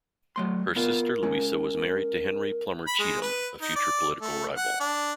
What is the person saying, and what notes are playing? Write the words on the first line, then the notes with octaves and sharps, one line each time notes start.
Her sister Louisa was married to Henry Plummer Cheatham, a future political rival.
F#3 A3 C6
B3 F4 A#4
G#3 C#4
B5
G#3
B4
D#4
D5
A3
F#5
D4